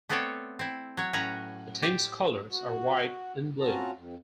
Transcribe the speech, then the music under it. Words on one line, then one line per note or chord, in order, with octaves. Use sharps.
The team's colours are white and blue.
A3 B3 C4 A4 C#5 D5
C4 E4
F#3 C#5
A2 C#4 B4 C#5 F#5 A#5
G4 C5 D5
F#4
C4 C#4 F4 F#4 A5 A#5
F2